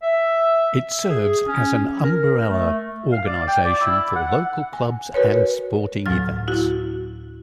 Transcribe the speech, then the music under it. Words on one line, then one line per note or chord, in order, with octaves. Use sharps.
It serves as an umbrella organization for local clubs and sporting events.
E5
G#4
C#4
A#4
A3
F5
D5
G5
D5
E4
F#5
G#5
F#4 A#4 B4 C#5
D2 A2 F#3 F6
E4 F#4